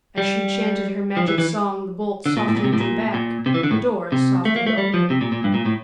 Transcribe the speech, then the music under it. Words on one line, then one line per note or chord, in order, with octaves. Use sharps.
As she chanted her Magic Song the bolts softly drew back, the doors softly opened.
G3
F3
E3
E3
D3
A#2
A2
A#2
C3
A2
A#2
A#2
C3
E3
D3
A2
C3
A3
A#3
A3
G3
F3
C3
A#2
A#2
G2
A#2
A2